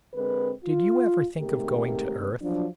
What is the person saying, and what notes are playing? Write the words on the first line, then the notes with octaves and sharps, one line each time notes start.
"Did you ever think of going to Earth?"
D3 G#3 C4 A#4 B4
F4
D#2 G#2 C3 A3 G4 A#4
F3 F#3 D4